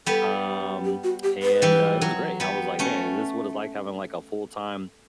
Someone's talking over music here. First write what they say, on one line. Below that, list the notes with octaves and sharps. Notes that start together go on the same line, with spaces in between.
um, and, uh, it was great. I was like: "Man, is this what it's like having, like, a full-time
G3 B3 A4
G4
F#4
G4
B4
E3 G3
F#3
G3 B3
A3 C#4